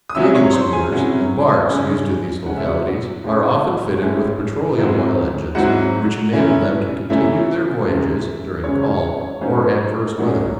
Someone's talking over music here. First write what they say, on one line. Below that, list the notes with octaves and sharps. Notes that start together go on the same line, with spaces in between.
Trading schooners and barques used in these localities are often fitted with petroleum oil engines, which enable them to continue their voyages during calm or adverse weather.
D#6
C3 F#3 C#4 E4 E5 E6
C#5 C#6
C5 C6
G#4 G#5
C3 F#3 C#4 E4
C#3 G#3 C#4
C#3 G#3 C#4 F#5
E5
F#4 F#5
A2 G#3 C#4 E4
A2 G#3 C#4 E4
G#2 F#3 C4 E4
G#2 F#3 C4 E4 F#4 F#5
F#2 E3 A3 C#4 E4
F#2 E3 A3 C#4 E4 E5
F#2 C#3 G#3
F#2 C#3 G#3 C#5
C#5
C#5
G#2 F#3 A3 C#4 C5
G#2 F#3 A3 C#4